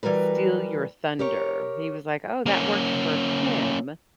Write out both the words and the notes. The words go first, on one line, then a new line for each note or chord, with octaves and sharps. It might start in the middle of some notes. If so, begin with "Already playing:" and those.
steal your thunder. He was, like, oh, that works for him.
E3 G3 F#4 A#4 B4
G4 A#4 C#5
A#3 C#4